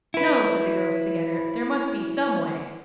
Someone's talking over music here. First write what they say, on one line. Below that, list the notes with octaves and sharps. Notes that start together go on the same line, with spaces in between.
'No,' said the girls together, 'there must be SOME way.'
E4 B4